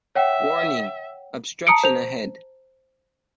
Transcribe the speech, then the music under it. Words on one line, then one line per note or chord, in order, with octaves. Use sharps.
Warning! Obstruction ahead.
C#5 E5 F#5 G5
A5 A#5 D#6 C#7 D7
C5 F7